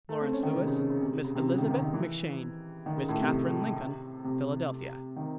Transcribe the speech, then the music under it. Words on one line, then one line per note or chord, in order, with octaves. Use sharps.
Lawrence Lewis, Miss Elizabeth McShane, Miss Katherine Lincoln, Philadelphia.
A3
C4
C#4
D#3
C3
C#3
C#3
C#3
C3
C#3
C#3
C3
C#3
D#3
D#3
D#3
E3
D#3
C#3
A2
C3
C3
D#3